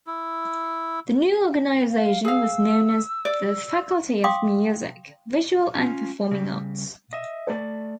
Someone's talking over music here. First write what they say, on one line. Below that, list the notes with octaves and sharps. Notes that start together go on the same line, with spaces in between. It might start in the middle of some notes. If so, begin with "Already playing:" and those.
The new organisation was known as the Faculty of Music, Visual and Performing Arts.
E4
F5
G#4 F5 E6
D5
F5 G5 C6 D6 D#6
C#4 F4
C#3 G3
D#5 E5
A3 D5